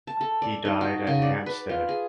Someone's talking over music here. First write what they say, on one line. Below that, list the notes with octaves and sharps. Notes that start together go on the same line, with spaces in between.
He died at Hampstead.
A5
A4
D5
D#4
F#4
C#3
D5
B4
F4
G#4